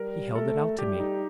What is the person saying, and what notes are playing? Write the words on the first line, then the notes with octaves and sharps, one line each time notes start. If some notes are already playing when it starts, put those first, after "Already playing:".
He held it out to me.
Already playing: G3 A#4
A3 A4
G3 G4
D#4